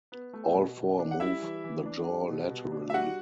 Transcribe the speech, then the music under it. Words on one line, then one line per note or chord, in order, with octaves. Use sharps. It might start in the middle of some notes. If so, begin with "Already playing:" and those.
All four move the jaw laterally.
B3
A3
B2
B2
D4
F#5
G3 E4 E5
E3
E3
D4
G3
B2
B2
D4
E5
G3 F#4 F#5